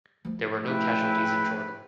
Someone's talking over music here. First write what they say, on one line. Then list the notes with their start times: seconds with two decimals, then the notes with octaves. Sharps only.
There were no casualties in Jordan.
0.25 F3 A3
0.67 C#3 E4 B4 G5